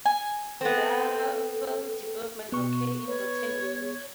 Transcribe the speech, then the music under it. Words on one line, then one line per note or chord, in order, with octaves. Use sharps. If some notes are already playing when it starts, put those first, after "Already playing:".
Larval development occur in rotten wood.
G#5
B3 C4 A4
B2 B3 C#6
B4 C#5